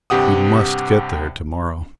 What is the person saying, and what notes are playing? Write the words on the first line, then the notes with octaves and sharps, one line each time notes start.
We must get there to-morrow.
G2 C3 G4 F#5 D#6